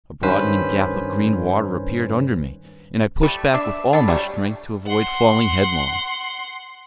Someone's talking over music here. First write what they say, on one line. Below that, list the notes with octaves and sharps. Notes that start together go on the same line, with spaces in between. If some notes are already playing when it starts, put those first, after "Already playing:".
A broadening gap of green water appeared under me, and I pushed back with all my strength to avoid falling headlong.
G2 D#3 C#4 B4 C5 B6
G3 A3
D4 D5 E5
D4 A4 B5
F#3 G3 A3
F#5 C6